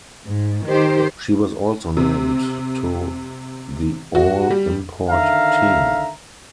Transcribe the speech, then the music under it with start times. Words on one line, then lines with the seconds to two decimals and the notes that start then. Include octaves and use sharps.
She was also named to the all import team.
0.24 G#2
0.66 D#3 G4 C5
1.97 C3
4.15 F#4
4.50 G3
5.09 D3 D#3 E5 F5 A#5